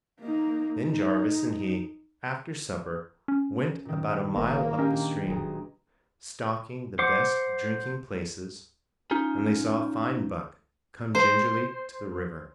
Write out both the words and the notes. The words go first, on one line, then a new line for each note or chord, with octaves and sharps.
Then Jarvis and he after supper went about a mile up the stream, stalking the best drinking places, and they saw a fine buck come gingerly to the river.
A#3 D#4
D#4
C#4
A#2 D#3
G1 A#3 A#5
C#4 D4 G4 D#5
D1 B1 G#3 A#5
C5 F#5 D6
C#4 D#4 F4
C5